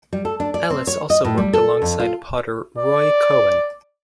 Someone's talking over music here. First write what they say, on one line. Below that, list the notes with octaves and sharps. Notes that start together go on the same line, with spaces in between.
Ellis also worked alongside potter Roy Cowan.
G3
A4
D4
D5
C4
C#5
D#5
A2
G3
A4
F2
F4
D5